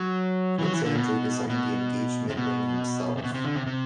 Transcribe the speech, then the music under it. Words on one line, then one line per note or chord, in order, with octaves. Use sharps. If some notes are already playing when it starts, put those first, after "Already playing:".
Prince Andrew designed the engagement ring himself.
Already playing: F#3
E3
F#3
E3
D3
B2
B2
C3
B2
C3
B2
C3
D3
C3
C3